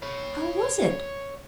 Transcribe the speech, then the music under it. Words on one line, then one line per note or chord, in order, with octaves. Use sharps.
How was it?
C#5 B5